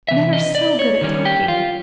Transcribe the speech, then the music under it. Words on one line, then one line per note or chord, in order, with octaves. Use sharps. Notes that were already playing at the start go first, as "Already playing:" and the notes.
Men are so good at talking!
C3 E3 E5
D#5
D5
C#5
D#3 G3 A#3 C#4
G4
F4